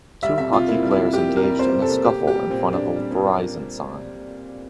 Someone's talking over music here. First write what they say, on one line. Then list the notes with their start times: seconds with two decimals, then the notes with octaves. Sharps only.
Two hockey players engaged in a scuffle in front of a Verizon sign.
0.23 G3 E5
0.38 F2 E5
0.52 C3 F4
0.68 A#3 E4
0.83 G3
0.91 E4
0.98 F2
1.13 C3 G4
1.29 A#3
1.36 A#4
1.44 G3
1.59 F2 C5
1.75 C3
1.82 A4
1.90 A#3
2.04 A#3 G4
2.20 A#2
2.27 G4
2.34 G3
2.50 A#2 C4
2.65 A#3 C4
2.73 D4
2.81 A#2
2.96 G3
3.11 A#2
3.26 A#3